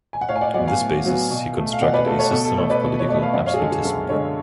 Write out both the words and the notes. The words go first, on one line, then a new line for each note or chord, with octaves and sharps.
On this basis, he constructed a system of political absolutism.
G#5
F#5
A2 C#5 F5
G#5
D5 F#5
F#3 B3 D5 F#5
F5 G#5
A2
F#3 B3
B2
A3
F5
B2 D5 F#5
B4 D5
A3 A4
A4 C#5
B2 A4
A4
A3 A4 C#5
B4 D5
B2
C#5
A3 D5
F5
F#2 D5 F#5
C#5 F5
G#4
D3 G#3 A4
G#4
F#2 A4
D3 G#3 A4 C#5